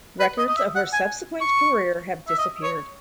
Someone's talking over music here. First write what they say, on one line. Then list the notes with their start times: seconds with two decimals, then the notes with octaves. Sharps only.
Records of her subsequent career have disappeared.
0.20 B4
0.38 D#5
0.49 D#5
0.57 E5
0.75 F#5
0.93 G#5
1.41 C#6
2.28 E5
2.38 D#5
2.63 C#5